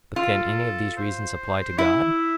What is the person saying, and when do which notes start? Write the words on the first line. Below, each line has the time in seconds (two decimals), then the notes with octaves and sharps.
But can any of these reasons apply to God?
0.16 F4 A4
0.97 C5
1.78 E4 E5